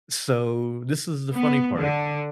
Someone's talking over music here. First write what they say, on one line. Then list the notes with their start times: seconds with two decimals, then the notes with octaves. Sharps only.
So, this is the funny part:
1.35 B3
1.78 D3